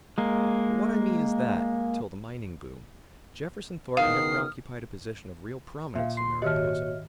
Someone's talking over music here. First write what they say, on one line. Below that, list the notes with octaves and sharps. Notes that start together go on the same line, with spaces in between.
But what I mean is that, till the mining boom, Jefferson Thorpe never occupied a position of real prominence in Mariposa.
G#3 A#3
E2 B2 D#3 F5 D#6 F6 C7
A#2 E5 F5
C6 C7
G#2 D#3 F#4 G4 C#5 D#5 E5 F6